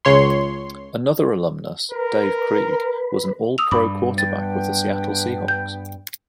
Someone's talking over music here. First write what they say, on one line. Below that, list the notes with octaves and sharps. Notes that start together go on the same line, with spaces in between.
Another alumnus, Dave Krieg, was an All-Pro quarterback with the Seattle Seahawks.
C#2 C#5 C6
A#4 B4
D#6 E6 F7
G2 G3 B5 D6
B3 D4 G5 A6
G6